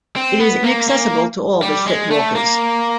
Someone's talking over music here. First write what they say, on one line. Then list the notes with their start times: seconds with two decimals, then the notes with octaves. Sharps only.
It is inaccessible to all but fit walkers.
0.16 C4
0.41 B3
0.64 A#3
0.88 A#3
1.62 G3
1.87 G#3
2.11 A3
2.35 A#3